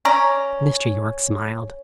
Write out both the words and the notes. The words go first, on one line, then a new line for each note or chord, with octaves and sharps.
Mr. Yorke smiled.
C#4 D5 A#5